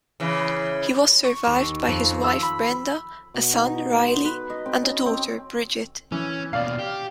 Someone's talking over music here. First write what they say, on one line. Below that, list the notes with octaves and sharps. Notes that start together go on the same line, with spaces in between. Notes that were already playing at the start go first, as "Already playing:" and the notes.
He was survived by his wife Brenda, a son, Riley, and a daughter, Bridgette.
C#3 E3
C#6
D#2
F2
E6
B5
B2
D#4
C6
B4
D#5
C4
C#4
C4
E3 C#4
D#2 B2 D5 F5
G4